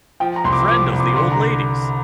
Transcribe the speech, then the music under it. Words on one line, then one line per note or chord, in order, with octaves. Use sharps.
Friend of the old lady's.
F3 G5
A#5
C2 C6
D6
F3 D6
D6
C2
D6
D3 C6
A#5